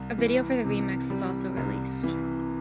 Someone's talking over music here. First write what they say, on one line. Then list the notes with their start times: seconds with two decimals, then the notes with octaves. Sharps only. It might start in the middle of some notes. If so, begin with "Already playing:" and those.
A video for the remix was also released.
Already playing: C2
0.18 E3
0.64 C3
1.10 G3
1.57 C2
2.03 E3